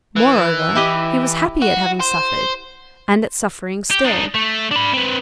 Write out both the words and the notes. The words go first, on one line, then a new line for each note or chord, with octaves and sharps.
Moreover, he was happy at having suffered, and at suffering still.
E3
E4 G4 D#5
F#4
C5
G4
D4 D#4
A3
D4 B5
C4 B4